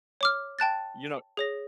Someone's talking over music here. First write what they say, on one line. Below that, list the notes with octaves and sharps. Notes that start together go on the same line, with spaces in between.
you know
C#5 D6 F6
G5 A5 F#6 A6
G#4 C#5 A#6